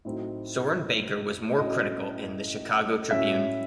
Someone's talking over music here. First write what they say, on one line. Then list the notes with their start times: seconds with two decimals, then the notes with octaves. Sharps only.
Soren Baker was more critical in the "Chicago Tribune".
0.05 A2 F#3 C4 D#4
1.58 A2 F#3 A3 C#4 D#5
3.11 A2 F#3 C#4 E5